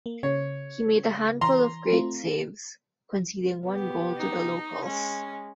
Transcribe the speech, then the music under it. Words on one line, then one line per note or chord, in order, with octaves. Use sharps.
He made a handful of great saves, conceding one goal to the locals.
A#3
C#3 C#5
E3 A#5 C6
A3 C4 F4
B3 G4
D#4
G#3 C#4